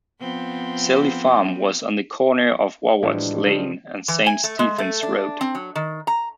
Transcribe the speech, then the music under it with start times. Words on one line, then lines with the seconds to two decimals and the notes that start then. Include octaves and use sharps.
Selly Farm was on the corner of Warwards Lane and Saint Stephen's Road.
0.21 F3 B3 C4
3.03 A2 E3 F3 G3 G#3 D4
3.46 C#3 F3 A4
4.08 E3
4.26 G#5
4.44 A3
4.59 G#3
4.78 A3
5.03 D4
5.41 C4
5.55 F#3
5.76 D#3
6.07 A#5